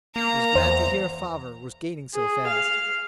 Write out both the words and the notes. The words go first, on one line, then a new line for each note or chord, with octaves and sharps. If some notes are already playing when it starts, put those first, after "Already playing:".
Was glad to hear father was gaining so fast.
A#3 A#5
E2 C5
G#4
F5